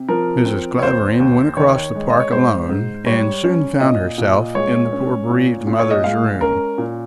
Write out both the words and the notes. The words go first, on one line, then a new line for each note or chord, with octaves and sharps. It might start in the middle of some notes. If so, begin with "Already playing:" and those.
Mrs. Clavering went across the park alone, and soon found herself in the poor bereaved mother's room.
Already playing: C3
F3 A#4
C4
C#5
D#2 C5
D#2
D#3 C#5
G#3
D#5
C#5
G#2 C5
G#2
G3 C#5
C#4
A#2 D#5
A#2
G#3 C#5
C#4
A#2
A#2
C#5
D#5
G#3 F5
C#4 A#4
A#2